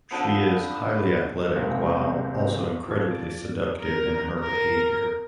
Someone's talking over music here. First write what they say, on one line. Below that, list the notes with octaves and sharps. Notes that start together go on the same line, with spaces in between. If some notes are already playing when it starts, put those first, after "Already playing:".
She is highly athletic while also incredibly seductive in her behavior.
D3 F3 B3
F#1 C#2 C3 G3 C4
F3 C4 G#6
D5
A#4
A#4